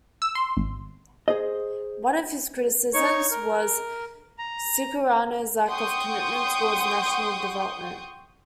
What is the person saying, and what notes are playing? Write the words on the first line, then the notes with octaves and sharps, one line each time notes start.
One of his criticisms was Sukarno's lack of commitment towards national development.
E6
C6
G#1
G#4 C5 D#5
D#4 C#5 C#6
A#4
A#5
F#5 G5 C6 C#6 D#6 G6